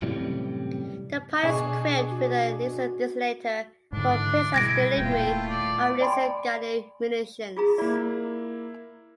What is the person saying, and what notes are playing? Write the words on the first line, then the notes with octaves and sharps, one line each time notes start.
The pod is equipped with a laser designator for precise delivery of laser-guided munitions.
F#2 A2 C3 E3 G3
B2 D4 G#4 D#5 C#6
F#4
G#2 D3 E3 D4
B2 G3 G#3 E4 G#6 A#6 D7
D#1 D#2 A#2 A3 E4 F4 G5
D5
D5 G5 G#5 B5 C6 D6
F4 G#4 A#5
A#3 E4 F4 D5